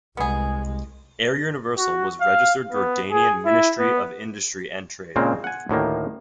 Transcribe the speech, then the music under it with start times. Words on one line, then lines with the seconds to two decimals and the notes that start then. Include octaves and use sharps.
Air Universal was registered Jordanian Ministry of Industry and Trade.
0.17 C2 G#3 B3 G#4
1.78 F#4
2.20 F5
2.72 B3
3.12 G#4
3.46 E4
3.79 B3
5.16 A#2 C#3 G#3 A#3 C4
5.44 F#5 G#5
5.69 D2 A2 D#3 A#3